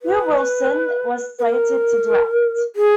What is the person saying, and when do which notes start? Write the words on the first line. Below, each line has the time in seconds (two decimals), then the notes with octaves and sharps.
Hugh Wilson was slated to direct.
0.02 B4
1.39 B4
1.42 A#4
2.76 G#4